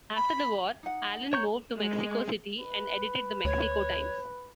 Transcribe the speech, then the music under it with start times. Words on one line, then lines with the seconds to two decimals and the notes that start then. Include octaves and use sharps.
After the war, Allen moved to Mexico City and edited the "Mexico Times".
0.16 B5
0.83 D#4 F#5
1.33 C#5 A#5 C#6 G6
1.78 G#3
2.59 B4
3.45 D2 C#5